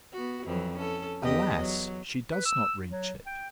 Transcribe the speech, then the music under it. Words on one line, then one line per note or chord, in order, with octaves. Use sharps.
Alas, she does not reach it!
B3 F#4
F2 E3 F#3
C#4 A4
E2 G4 D#5
F#3
B4
E6
F#3
G5